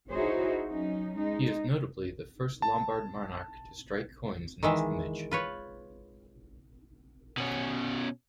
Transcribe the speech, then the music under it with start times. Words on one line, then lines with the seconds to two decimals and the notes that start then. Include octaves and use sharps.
He is notably the first Lombard monarch to strike coins in his image.
0.10 D#4 E4 F#4 G#4 C5 C#5
0.66 F#3 C#4 D#4
1.15 G#3 D#4
2.62 A5
4.63 D#3 E3 G#3 E5
5.31 F4 B4 C#5
7.38 B2 C#4